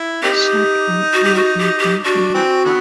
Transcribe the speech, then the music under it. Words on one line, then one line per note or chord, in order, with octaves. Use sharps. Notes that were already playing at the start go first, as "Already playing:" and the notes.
Shut one eye, and don't leave.
Already playing: E4
A#3 C4 D#4 G4
F#4
G4
F#4
G4
G4
D4 F#4
E3 C4
D3 E3 B3